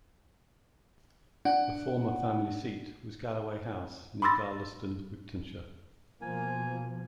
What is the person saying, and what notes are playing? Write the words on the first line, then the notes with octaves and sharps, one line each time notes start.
The former family seat was Galloway House, near Garlieston, Wigtownshire.
D4 F#5
B5 C6 D6 E6 A6 A#6
B2 F3 A#3 G#5